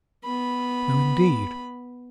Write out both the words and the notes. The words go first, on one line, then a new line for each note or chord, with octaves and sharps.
No, indeed!
B3 B5